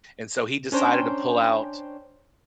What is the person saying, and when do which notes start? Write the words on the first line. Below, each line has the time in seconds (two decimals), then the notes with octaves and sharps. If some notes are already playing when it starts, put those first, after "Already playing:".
and so, he decided to pull out
0.72 C#4 D4 C5 C#5 G5 A#5